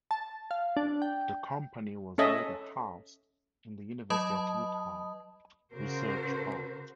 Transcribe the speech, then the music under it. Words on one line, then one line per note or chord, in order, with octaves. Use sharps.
The company was later housed in the University of Utah Research Park.
A5
F5
D4
G5
C#4 A4 D#5 E5
F#3 D#5 A5 B5 D#6
C#3 F#4 A#4 C5